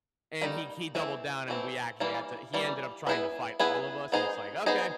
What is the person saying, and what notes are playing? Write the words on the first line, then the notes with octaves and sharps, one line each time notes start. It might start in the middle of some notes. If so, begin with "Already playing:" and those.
And he he doubled down, and we actually had to he ended up trying to fight all of us. And it's like, okay.
D#3 G3 A#3 D#4
E3 A3 C4 E4
E3 A3 C4 E4
E3 G3 A#3
E3 G3 A#3
B3 E4 G#4 B4
B3 E4 G#4 B4
B3 D#4 G#4 C5 D#5
B3 D#4 G#4 C5 D#5